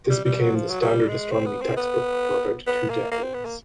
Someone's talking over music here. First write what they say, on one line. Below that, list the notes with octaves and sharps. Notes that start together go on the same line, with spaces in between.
This became the standard astronomy textbook for about two decades.
G3
G3
F#3
F3
F#3
F#3
G3
G#3
C4
B3
C4
B3
B3
A#3
A#3
C4
B3
A#3